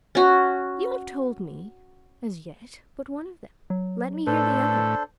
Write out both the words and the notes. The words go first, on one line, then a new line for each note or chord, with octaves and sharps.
"You have told me as yet but one of them--let me hear the other."
C#4 F#4
F#3
A2 D4 A4 B4 C5